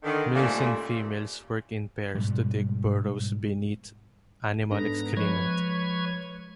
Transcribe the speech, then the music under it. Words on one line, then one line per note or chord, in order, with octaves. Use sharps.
Males and females work in pairs to dig burrows beneath animal excrement.
D3 D#3
A#2 C#3 G3 A3 A#3 C4
G#2 B2 G3
G#2 B3 D4 A4 A#5
F3 G#3 B4 C#5 G#6